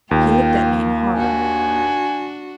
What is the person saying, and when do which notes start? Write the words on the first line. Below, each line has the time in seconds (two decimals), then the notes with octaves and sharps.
He looked at me in horror.
0.11 D#2 A#3 F4 G5
1.15 D4 F#4 G#5